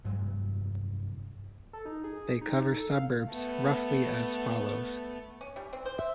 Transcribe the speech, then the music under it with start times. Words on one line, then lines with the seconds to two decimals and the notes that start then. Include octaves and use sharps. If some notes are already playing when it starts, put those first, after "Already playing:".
They cover suburbs roughly as follows.
0.05 F1 G2 F#3 G#3
1.73 A4
1.85 D#4
2.04 G#4
2.41 D#4
2.60 D#4
2.74 A4
2.91 F5
3.29 A3 B3
5.41 C#4
5.56 G3
5.73 C4
5.85 C5
5.98 E5